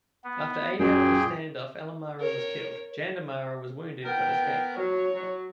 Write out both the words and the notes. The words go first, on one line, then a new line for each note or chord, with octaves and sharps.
After eight hours of standoff Ellemarra was killed, Jandamarra was wounded but escaped.
B3
F#2 A#2 G#4 G5
A#4 C#5
B3 A#4 G5
F#3 C#5
F#3